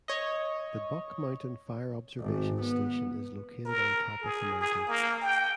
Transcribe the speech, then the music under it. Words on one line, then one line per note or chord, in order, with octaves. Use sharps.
The Buck Mountain Fire Observation Station is located on top of the mountain.
C#5 D#5
G#1
B3
A#4
G#4
G#4
A#3
G5